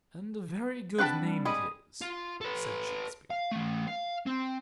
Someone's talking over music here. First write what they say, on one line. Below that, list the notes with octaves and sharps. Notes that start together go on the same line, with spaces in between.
"And a very good name it is," said Shakespeare.
C4 D4 B4 F#5 G5 A5 B5 F#6
G3
G3 G#3 G#4 B5 D#6
F4
A4 B4
F5
A3 C#4
F5
C4